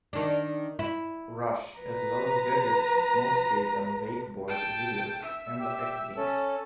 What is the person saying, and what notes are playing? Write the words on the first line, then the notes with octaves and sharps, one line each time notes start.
Rush, as well as various snowskate and wakeboard videos, and the X Games.
D#3 D4
E4
B4 A#5
G5 A5
E5
G4
C#4 A4